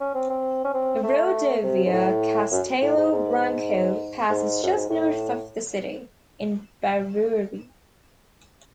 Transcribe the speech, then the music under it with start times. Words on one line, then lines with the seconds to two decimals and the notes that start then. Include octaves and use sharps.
The Rodovia Castelo Branco passes just north of the city, in Barueri.
0.01 C#4
0.15 C4
0.30 C4
0.65 C#4
0.74 C4
1.04 A3
1.63 C3
1.86 G#2
1.93 A2
2.52 F#2
2.82 A2
2.97 G#2
3.12 G#2
4.30 G#2
4.63 F#2
4.76 G#2
4.90 A2